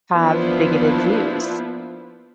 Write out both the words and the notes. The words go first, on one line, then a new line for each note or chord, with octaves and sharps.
have bigoted views,
F3 A#3 B3 D4 E4 F4